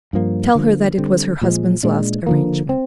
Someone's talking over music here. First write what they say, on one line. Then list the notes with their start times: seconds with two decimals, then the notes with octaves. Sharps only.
Tell her that it was her husband's last arrangement.
0.13 G2 F3 A#3
0.55 D3 F3 A#3
0.98 D3 G3 C4
1.41 A#2 F3 G#3
1.83 A#2 G#3 D4
2.27 D3 F3 A#3
2.69 C4